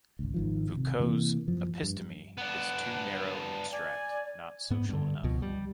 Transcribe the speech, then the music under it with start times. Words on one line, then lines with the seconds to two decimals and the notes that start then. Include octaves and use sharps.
Foucault's 'episteme' is too narrow and abstract, not social enough.
0.19 G#1 C#2
0.34 G#1 D#3 F3
0.77 C3
0.99 C3 E3 F#3 A#3
1.48 F#2 F3
1.83 G2
2.38 B3 D4 F#5
3.72 D5 G#5
4.70 G#2 B3
4.89 G2 D3
5.24 C#2 B2 F3
5.42 G3